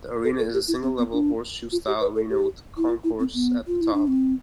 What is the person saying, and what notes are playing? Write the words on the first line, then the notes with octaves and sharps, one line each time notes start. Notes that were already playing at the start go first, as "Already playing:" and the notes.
The arena is a single-level, horseshoe-style arena with a concourse at the top.
A4
A4
G4
E4
C4
B3
D4
F4
G4
B4
A4
G4
E4
F4
E4
C4
B3
F4
E4
D4
C4